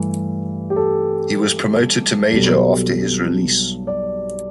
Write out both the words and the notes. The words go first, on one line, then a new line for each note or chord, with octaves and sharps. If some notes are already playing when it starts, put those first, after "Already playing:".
He was promoted to major after his release.
Already playing: G2 E3 A3
G4
A4
B1 B2 G3 A4
D5